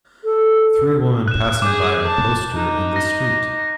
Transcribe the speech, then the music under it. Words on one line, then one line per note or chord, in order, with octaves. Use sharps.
Three woman passing by a poster in the street.
A4
F#6 E7
G#4 D6 G6
A5
D#4
A#6